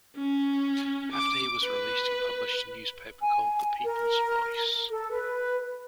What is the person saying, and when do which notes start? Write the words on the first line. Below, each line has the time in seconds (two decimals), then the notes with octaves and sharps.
After he was released he published a newspaper called "The People's Voice".
0.17 C#4
1.12 D6
1.63 B4
3.21 G#5
3.85 A#4
4.90 A4
5.10 B4